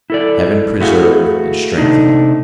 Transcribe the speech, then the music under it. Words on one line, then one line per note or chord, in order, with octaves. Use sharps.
Heaven preserve and strengthen you!
E4 A4 D5
A3 E4 F#4 G#4 F5
C3 A3 D4 D#4